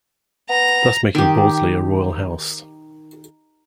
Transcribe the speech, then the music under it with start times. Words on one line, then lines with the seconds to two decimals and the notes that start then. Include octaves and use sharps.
Thus making Bordesley a royal house.
0.49 B3 A#5
1.15 D#3 G4